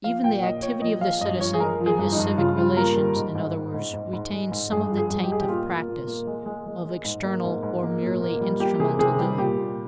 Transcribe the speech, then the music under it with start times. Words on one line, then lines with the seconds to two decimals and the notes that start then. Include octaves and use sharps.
Even the activity of the citizen in his civic relations, in other words, retains some of the taint of practice, of external or merely instrumental doing.
0.04 F3 F5
0.24 A#2 G5
0.43 A#2 D#5
0.62 A#2 C#5
0.82 F3 D#5
1.01 G#3 F5
1.21 G2 D#5
1.40 F3 C#5
1.54 G#4
1.60 G#3 A#4
1.80 F3
1.86 G#4
1.99 G2
2.12 D#4
2.18 G2
2.37 C#3 F4
2.58 G3 F4
2.77 A#3 A#4
2.96 G3
3.16 G#2
3.35 G#2
3.54 G#2
3.74 G#2
3.93 G#2
4.13 G#2
4.32 G#3
4.51 G#2
4.72 G2 G#4
4.91 F3
4.97 G#4
5.10 G2
5.24 G4
5.30 G#3 G#4
5.41 G4
5.49 A#2 F4
5.69 A#3
5.89 A#2
6.07 A#3
6.27 G#3
6.46 G#3
6.66 G#3
6.85 G#3
7.05 G#2
7.24 A#3
7.44 G#2
7.63 G#2
7.83 A#3
8.02 A#2
8.21 A#3
8.41 G3
8.60 A#3 G4
8.80 C3 G#4
8.99 C3 G#4
9.19 G3 G4
9.38 A#2 G4
9.58 A#2